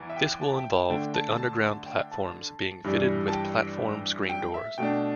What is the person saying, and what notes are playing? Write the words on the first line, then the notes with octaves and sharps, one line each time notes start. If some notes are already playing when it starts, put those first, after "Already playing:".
This will involve the underground platforms being fitted with platform screen doors.
Already playing: E2 E3
E5
G5
A5
E5
G5
G5
D3 A3 D4 G5
A5
A5
G5
A5
G2 E3 G3 D4
A5
G5
G5
E5
B2 A3 D4 G5